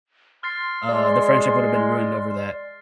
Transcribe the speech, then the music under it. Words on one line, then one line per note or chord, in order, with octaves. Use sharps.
uh, the friendship would have been ruined over that.
C6 F6 A6 C7
G#3 D5